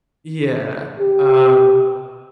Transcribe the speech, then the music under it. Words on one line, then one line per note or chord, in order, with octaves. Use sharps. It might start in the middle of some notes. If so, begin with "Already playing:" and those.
Yeah, um,
G4